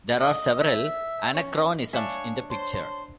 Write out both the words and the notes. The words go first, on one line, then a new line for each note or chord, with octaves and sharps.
There are several anachronisms in the picture.
D#5
E5
C#4
D4 C#5 E5 F5 G#5
C5 C#5 A5 C6